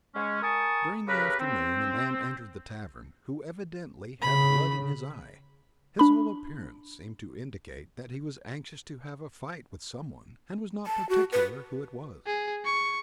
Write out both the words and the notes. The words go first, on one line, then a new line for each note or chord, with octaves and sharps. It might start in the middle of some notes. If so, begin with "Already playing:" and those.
During the afternoon a man entered the tavern, who evidently had "blood in his eye." His whole appearance seemed to indicate that he was anxious to have a fight with some one, and was not particular who it was.
G#3 C#4
A#4 G#5 A5 C#6 D#6
C#3 G4 A#4 B4
C4
C#3 B5
D4 B5
A5
F#4
B4
G#4
C#6